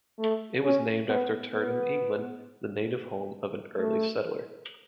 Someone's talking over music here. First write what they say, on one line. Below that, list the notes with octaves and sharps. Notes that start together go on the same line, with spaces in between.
It was named after Turton, England, the native home of an early settler.
A3
C#4
B3
B3
A3